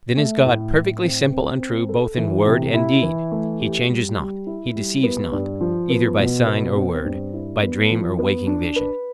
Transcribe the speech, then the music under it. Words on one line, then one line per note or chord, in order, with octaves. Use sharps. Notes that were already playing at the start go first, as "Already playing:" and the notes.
Then is God perfectly simple and true both in word and deed; he changes not; he deceives not, either by sign or word, by dream or waking vision.
A3
A2
A2
C4
C4
C4
A4
E3
C3
E4
E3
A3
G4
G3
G3
E4
G3
B3
G2
F3
B3
B2
B3
C4
G2
E4
B3
F3
B3
D4
B4